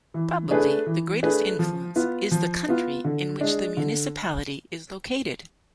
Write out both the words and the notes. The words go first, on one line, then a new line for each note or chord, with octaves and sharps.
Probably the greatest influence is the country in which the municipality is located.
E3
A3 D4 G#4 B4
E3
A3 D4 G#4 B4
F3
B3 F4
F3
B3 F4
D3
G#3 D4
D3